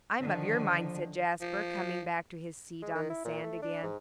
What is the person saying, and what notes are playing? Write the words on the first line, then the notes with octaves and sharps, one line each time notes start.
"I'm of your mind," said Jasper, coming back to his seat on the sand again.
D3 D#3 F3
F3
G#3
D#3
E4
A#2
A3
D4
G#2